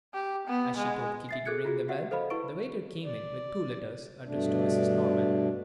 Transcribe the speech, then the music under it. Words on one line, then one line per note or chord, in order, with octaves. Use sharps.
As she told Kitty to ring the bell, the waiter came in with two letters, addressed to Mrs. Norman.
G4
B3
G#3
E5 A6 C7
G#4 A4 F#6 G#6 C#7
F4 F#4 G#4
F#4 G4 E5 F#5
A4 C5 D#5 F5 B5
E4 B4 C#6 D7
D5
G2 B2 A3 D4